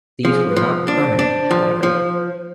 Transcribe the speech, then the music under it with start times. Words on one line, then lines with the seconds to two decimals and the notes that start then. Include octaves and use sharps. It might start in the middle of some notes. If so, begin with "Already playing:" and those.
These were not permanent, however.
0.25 F3 G#4
0.49 B4
0.56 F3
0.88 D4
0.96 C5
1.19 D4
1.51 F3
1.83 F3